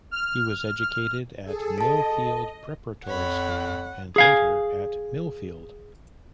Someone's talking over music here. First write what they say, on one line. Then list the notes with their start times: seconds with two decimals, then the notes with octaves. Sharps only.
He was educated at Millfield Preparatory School and later at Millfield.
0.11 F6
1.44 G#4 A4
1.78 A4 D#5 A5
3.06 F2 C#5 F#5 B5
4.16 G#4 F5 G#5